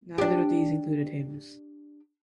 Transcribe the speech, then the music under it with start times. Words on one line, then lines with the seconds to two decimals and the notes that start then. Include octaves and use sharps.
Neither of these included hymns.
0.18 D4 G4